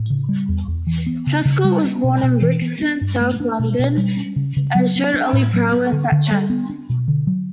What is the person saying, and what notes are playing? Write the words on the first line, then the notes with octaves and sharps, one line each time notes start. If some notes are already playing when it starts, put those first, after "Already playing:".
Truscott was born in Brixton, south London, and showed early prowess at chess.
Already playing: A2
C#3
G3
E2
E2
E3
B3
C#3
C#3
G3
C#4
B2
B2
E3
B3
D4
G2
A3
D4
B2
B2
G3
C#4
C#3
C#3
F#3
B3
D4
A2
F#3
B3
D3
D3
G3
B3
D4
B2
D3
F#3